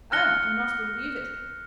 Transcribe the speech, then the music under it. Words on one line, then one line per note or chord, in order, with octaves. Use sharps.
Oh! do not believe it!
F6 F#6 A#6 C#7 G7